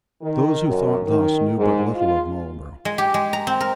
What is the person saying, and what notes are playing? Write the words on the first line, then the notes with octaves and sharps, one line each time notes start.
Those who thought thus knew but little of Marlborough.
D#3
F#2
D#3
G#2
F4
G#3
G4
G#3
A#5
C4
A#4